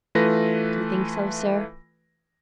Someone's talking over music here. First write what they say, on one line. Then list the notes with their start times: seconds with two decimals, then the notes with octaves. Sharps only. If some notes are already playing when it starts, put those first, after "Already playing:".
'Do you think so, sir?'
0.15 E3 A3 F4 B4 A#6